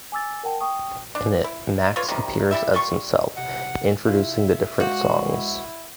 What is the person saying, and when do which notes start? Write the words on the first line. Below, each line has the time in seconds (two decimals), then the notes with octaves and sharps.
In it, Max appears as himself, introducing the different songs.
0.12 G#5 D6 E6 A6
0.43 A#4 F#5 G5 A5
0.61 G5 C#6 D#6
1.15 D4
1.44 E4
1.96 D3 F4 B4 C#5
2.08 C3 D#3 G3
2.51 G3 E4 E5
2.74 G3 F4 C#6
3.37 C3 F#5
4.07 C3 E4 F4 E5 F5
4.80 G#3 F#4 C5 F5
5.27 E4